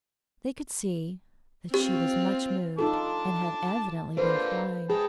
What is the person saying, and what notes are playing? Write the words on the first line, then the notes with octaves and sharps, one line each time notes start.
They could see that she was much moved, and had evidently been crying.
C4 F4 G4
D#4 F4 A4 A5 D6
D3 A#3 F4 B4 C5
G#4 G5 A5 B5